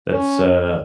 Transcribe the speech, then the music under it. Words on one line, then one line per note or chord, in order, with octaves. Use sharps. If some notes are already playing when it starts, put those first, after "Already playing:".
that's uh,
C#4